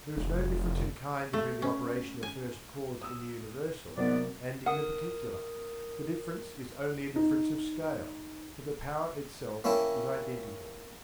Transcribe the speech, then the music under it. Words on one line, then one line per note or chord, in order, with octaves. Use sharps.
There is no difference in kind between the operation of first cause in the universal and in the particular, the difference is only a difference of scale, but the power itself is identical.
F1
A3
C#4
G#5
D#6 E6
G#2 C3 F#3 A#3 B3 D5
A#4 F#5 D#6
D#4
A#3 C#4 E4 G5 A5